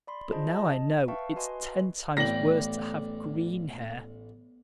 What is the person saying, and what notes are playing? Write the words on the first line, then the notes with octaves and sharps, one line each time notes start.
But now I know it's ten times worse to have green hair.
D5 B5 C6
F4 G#4 C5 D#5 A5
D#5 A5
B4 E5 F5 G5 A5 C#6
F#4 B4 D#5 G#5 C6
A1 B3 D5 G5 A#6 F#7